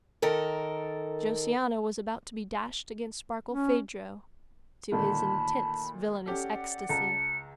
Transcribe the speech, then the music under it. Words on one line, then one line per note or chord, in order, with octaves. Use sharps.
Josiana was about to be dashed against Barkilphedro, to his intense villainous ecstasy.
D#3 A4 A#4
C#4
D2 A#2 D#3 A5 B5
C#4 G4 A4 D5 F#5
C#2 A5 A#5 C#7